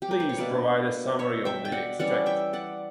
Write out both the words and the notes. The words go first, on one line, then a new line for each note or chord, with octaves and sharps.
Please provide a summary of the extract.
G4
A#4
B4
C#5
B2 A#3 D4 B4 D5
C#5 E5
E5 G5
G5
D5 F#5
E3 G3 C#4 D5 F#5
E5 G5
D5 F#5